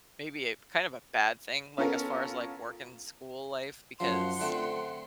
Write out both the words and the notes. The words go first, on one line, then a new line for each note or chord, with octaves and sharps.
maybe, a kind of a bad thing, like, as far as, like, work and school life, because
B3 C#4 F4 A4 A#4
F#2 F3 F#5 C6
D3 A3 C4